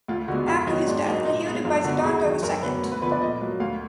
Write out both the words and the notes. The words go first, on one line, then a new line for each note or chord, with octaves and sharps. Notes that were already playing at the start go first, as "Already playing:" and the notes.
After his death, inherited by Zidanta II.
D2 F4
D3 G#3 B3 F#4
F2 F4
D#3 F#3 B3 D#4
G#2 D4
F#3 A#3 D#4
A#2 D#4
G#3 B3 D#4
F#2 F4
D3 F#3 B3 F#4
D#2 G#4
D#3 F#3
F#2 A#4
D3 F#3 B3 B4
D2
B4
D3 F3 B3 B4
D5
A#2 D#5
F#3 A#3
D2 F5